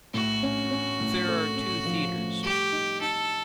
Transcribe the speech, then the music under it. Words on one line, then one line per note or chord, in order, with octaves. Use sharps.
There are two theaters.
A2 F#4
C#4
C#4
A2
A3
C#4
F3
A3
G3 G4
D#4
D#4 A4